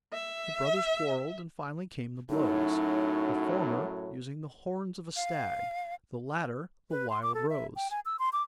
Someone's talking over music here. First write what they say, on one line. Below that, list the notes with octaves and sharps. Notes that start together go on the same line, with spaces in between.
The brothers quarrelled, and finally came to blows; the former using the horns of a stag, the latter the wild rose.
E5
F#2 A2 F#3 D#4
F5
B4
C6
D6
A4
E5
G5
G#5
E6
C6
D6